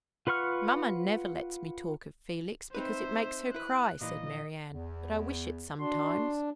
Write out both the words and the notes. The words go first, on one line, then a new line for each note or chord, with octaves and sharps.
'Mamma never lets me talk of Felix, because it makes her cry,' said Marianne; but I wish it sometimes.'
F4 B4 F#5 C#6 F6
C4 D#4 B4 C5 E5
E4 B4 F#6
A#2 E3 D#5
E2
D4 F#4 C6